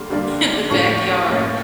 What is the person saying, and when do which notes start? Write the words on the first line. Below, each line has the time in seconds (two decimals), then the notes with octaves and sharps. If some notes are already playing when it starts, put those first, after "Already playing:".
in the backyard.
Already playing: D3 G3 A#3 C6
0.10 D3 G3 A#3 D4
0.70 A2 F3 A#3 C#4 C#6
1.30 A2 F3 A#3 C#4